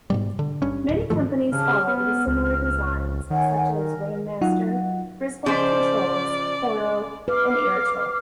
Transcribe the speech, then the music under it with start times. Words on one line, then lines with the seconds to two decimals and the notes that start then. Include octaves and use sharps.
Many companies followed with similar designs, such as Rainmaster, Griswold Controls, Toro, and Irritrol.
0.10 G#2 B2 G3
0.39 D3
0.62 G1 G2 C#4
0.89 D1
1.10 G#2 D#3 F3 A3
1.52 C#3 G4 A5 F6
1.87 B3 F6
2.27 C#2
3.30 D#3 C#5 F#5 G#5
3.74 A#4
4.41 F#3 D#4 F4 F#5
5.46 C#3 F3 C5 D5 D#5 B6
7.28 B4 F5 D6 F6